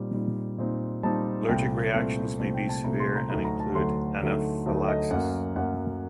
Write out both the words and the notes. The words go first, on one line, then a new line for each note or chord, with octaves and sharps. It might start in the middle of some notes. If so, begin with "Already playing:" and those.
Allergic reactions may be severe and include anaphylaxis.
Already playing: A#2 G3 C4 D#4 D5
A#2 G3 C4 D#4
A#2 G3 C4 D#4
A#2 G3 C4 D#4 A5
C2 A#2 A3 C4 G5
C2 A#2 A3 C4
C2 A#2 A3 C4
G5
A5
C2 A#2 A3 C4 A#5
C6
A#5
D2 D3 F#3 A3 D#4 A#5
A#5
A5
D2 D3 F#3 A3 D#4 C6
D2 D3 F#3 A3 D#4
D2 D3 F#3 A3 D#4
D#5
F#2 F#3 A#3 F#5
F#2 F#3 A#3 F#5